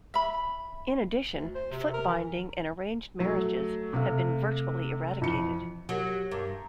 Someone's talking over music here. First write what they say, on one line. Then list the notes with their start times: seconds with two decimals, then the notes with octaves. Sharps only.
In addition, foot binding and arranged marriages have been virtually eradicated.
0.14 E5 B5
1.35 D2
1.55 C5
1.71 C3
1.94 A#4
2.07 E3
3.20 F#3 A3
3.93 C3 A3 F5
5.22 F2 E3 C#7
5.89 F#3 G4 A#4
6.31 G2 A#5